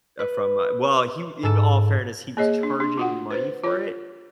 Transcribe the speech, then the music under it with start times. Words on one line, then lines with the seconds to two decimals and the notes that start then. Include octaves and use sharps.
uh uh, from, uh well, he w in all fairness, he was charging money for it,
0.19 B4
1.43 G#2 A4 E7
2.37 A#3 G#4 C#5 D#5
2.63 D4
2.80 D4
2.98 F4 F#4 F#5
3.31 B4 C5
3.64 F4 C#5